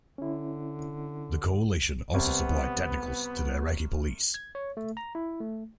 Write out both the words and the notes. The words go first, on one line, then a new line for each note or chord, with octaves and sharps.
The Coalition also supplied technicals to the Iraqi police.
D3 C#4 E4
C2 B3
G#6
C#5
A3
A#5
E4
A3